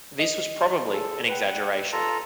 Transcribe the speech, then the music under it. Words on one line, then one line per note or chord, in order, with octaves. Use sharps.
This was probably an exaggeration.
D#5
G#4 A4
B4 F#5 G5
F4 A4 A#5